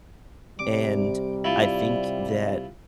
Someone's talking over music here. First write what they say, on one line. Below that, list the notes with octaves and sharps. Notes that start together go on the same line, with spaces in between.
and I think that
C3 G3 D6
E4 F4